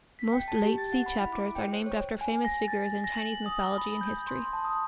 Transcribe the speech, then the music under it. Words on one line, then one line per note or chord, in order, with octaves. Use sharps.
Most "Liezi" chapters are named after famous figures in Chinese mythology and history.
B6
G5
A5
G4
A6
F#5
B5
E4
D6
G5
C5
C#5
G#5
A#6
A6
A#6
F#7
D#6
G7
B5
G6
C6
A5
D#6